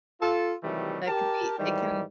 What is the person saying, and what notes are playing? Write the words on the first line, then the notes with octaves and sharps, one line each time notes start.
That can it can
F4 A4
C3 D#3 E3 F#3 G3 A3
G4 A#4 A5
G#2 D#3 E3 G3